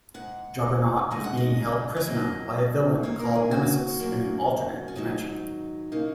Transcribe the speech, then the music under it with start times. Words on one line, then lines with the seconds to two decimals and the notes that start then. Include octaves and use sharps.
Juggernaut was being held prisoner by a villain called Nemesis in an alternate dimension.
0.14 G#2 G#3 F#5
1.11 F#2 C#3 G#3 D#5
1.24 F#5
1.37 D#5
1.96 C#5
2.07 F#2 F#3 A#3 D#5
3.03 D#2 D#3 A#3 C#5
3.19 A#4
3.35 G#4
3.51 F#4
4.00 F#2 F#3 A#3
4.88 C#4
4.95 G#2 D#3 F#3 D#4
5.92 C#3 A#3 D#4